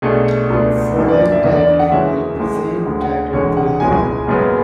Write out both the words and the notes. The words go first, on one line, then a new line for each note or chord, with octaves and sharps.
Following that link will present that entry.
B1 B2 A3 D4 G#4
C#2 B2 A3 D4
F#1 F#2 D3 A4
D5
D5
E5
E2 D3 F#3 D5
D5
F#5
F#1 F#2 E3 G#3 C#4 E5
A1 A2 G#3
D2 D3 G#3
F#5
E1 E2 D3 G#3 C#5
F#5
C#2 B2 G#3 C#4 E4 G#5
F#1 F#2 C#3 G#3 B3